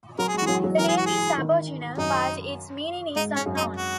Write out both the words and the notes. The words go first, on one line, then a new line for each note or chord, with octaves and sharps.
The name is Aboriginal but its meaning is unknown.
F#3 A#4
G#4
G#3
E3 F#4
F#3 G#4
F#3
E3 A#4
G#4
F#4
G#4
D#3
F#2 D#4
G#2 D#4
G#2 C#4
F#2
D#4
F#4